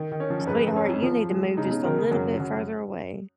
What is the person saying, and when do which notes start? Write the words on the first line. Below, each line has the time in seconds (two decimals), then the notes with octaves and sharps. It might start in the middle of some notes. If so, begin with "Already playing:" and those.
Sweetheart, you need to move just a little bit further away.
Already playing: D#3
0.12 D#3
0.20 C#4
0.30 F3
0.39 F#2
0.47 G#2 B4
0.67 F#2
0.76 C#4
0.84 F2
1.02 F3
1.30 G#3
1.57 C#3 D#4
1.66 B2
1.71 C#3
1.84 D#3 A#4
1.98 C#3
2.11 F#2
2.40 F#2